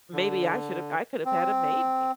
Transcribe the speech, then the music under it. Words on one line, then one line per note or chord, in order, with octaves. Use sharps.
maybe I should have I could have had a baby
D3
C4